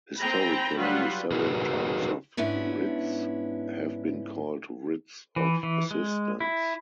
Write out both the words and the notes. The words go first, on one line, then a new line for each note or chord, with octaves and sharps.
Historically, several types of writs have been called "writs of assistance".
C4 G5 G#5 A#5 B5
F#3 G3 F4 B4 F#5
D#4 F#4 G#4 A#4 B4
G#2 B3 C#4 D4 E4
E3
E3
G#3
E4